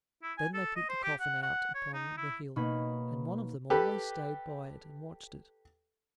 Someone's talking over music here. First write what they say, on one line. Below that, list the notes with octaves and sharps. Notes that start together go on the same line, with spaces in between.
Then they put the coffin out upon the hill, and one of them always stayed by it and watched it.
E4
G#5
A4
D#5
C5
G4
F#5
F#5
C#5
D#4
E4
B2 A#3 D#4 C#5 B5
G4 A4 B4